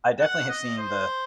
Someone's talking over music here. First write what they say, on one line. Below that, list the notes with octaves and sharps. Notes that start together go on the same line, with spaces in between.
I definitely have seen the
F#5
D#5
C5